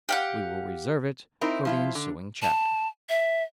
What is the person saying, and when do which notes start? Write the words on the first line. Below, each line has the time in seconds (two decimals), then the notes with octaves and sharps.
We will reserve it for the ensuing chapter.
0.09 G4 F5 F#5
1.41 C4 D#4 E4 A#4
1.65 F3 E4 F4
1.95 D3
2.42 A5
3.09 E5